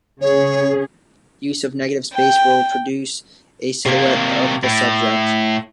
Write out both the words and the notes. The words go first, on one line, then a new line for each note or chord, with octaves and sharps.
Use of negative space will produce a silhouette of the subject.
C#3 C#4 G#4 C#5
G5
C3 A#3
A2